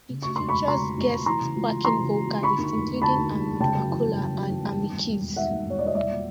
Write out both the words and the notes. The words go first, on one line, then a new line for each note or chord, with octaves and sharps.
It features guest backing vocalists, including Arnold McCuller, and Amy Keys.
C#3
D2 C#6
E1 C6
E1 B5 C#6
C#3 A#5 C6
D2
E1
E1
E3 A#5 C6
C#3
C#2
C#2
E3 A#5 C6
C#3
C#2
C#2
D3 B5 C#6
D#2
F1
F1
D3 A5 B5
D#2
F1
F1
C#3 G5 A5
F#2
E3
G1
C#3
F#2
E3
G1
D#3
D#2
E1
E1
D#3 E5 F#5
D#2
E1 C#5
E1 D5
D#5
C2 D5 E5
A#2